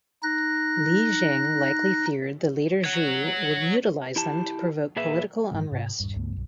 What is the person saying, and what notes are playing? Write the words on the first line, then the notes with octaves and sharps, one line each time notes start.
Li Jing likely feared the Later Zhou would utilize them to provoke political unrest.
D#4 F#6 A#6
C#5 F#5
E4 G4 A5
A#2 G#4 B4 E5
G#2 E3 F3 G#3
G#2 C3
D#1 G2
C#2 G2 A3 B3
B1 F#2